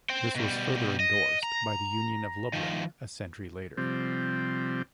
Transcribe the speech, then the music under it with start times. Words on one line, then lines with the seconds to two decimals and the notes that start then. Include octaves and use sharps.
This was further endorsed by the Union of Lublin a century later.
0.10 C5 G5
0.35 B2 G3
1.00 D#5
1.43 A#5
2.53 D#3 F3
3.77 C3 F3 G3 C4